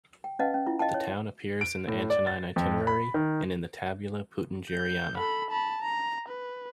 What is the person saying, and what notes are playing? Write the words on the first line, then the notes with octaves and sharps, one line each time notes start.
The town appears in the Antonine Itinerary and in the Tabula Peutingeriana.
G5
C#4 B4 D#5 F5 F#5 A5
C#4
E4 F4
D#5 F5 G5 A5
C#5
D7
A2
D5
A6
F2
B5
D#3
G6
A4 B5
A5 B5
A#5
B4